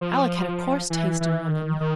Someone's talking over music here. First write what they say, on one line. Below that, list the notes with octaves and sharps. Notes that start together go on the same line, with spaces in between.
Alec had a coarse taste in women.
F3
E3
E3
D#3
D#3